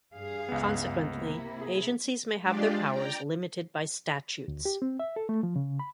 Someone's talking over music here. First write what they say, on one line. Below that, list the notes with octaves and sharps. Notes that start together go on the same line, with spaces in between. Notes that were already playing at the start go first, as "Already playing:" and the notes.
Consequently, agencies may have their powers limited by statutes.
G2 G#4 F5
C#2 B3
C3 A#3 E4
G#4
G#3 D4 F4 G4 D5
D5 G5 A#5
D2
G4
C4
E5
A4
A3
F3
C#3
B5